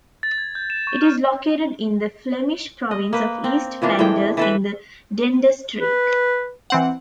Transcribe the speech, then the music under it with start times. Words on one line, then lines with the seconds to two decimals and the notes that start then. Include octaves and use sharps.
It is located in the Flemish province of East Flanders in the Denderstreek.
0.23 A6
0.38 G#6
0.55 G6
0.70 E7
0.87 C#6
1.01 F6
2.91 D#5
3.13 A#3 B4
3.44 C4 A#4
3.82 A#2 E3 D4 F4
3.99 A2 E3 G#3 G5
4.37 E3 A4 B4
5.78 B4
6.70 E3 C4 F#5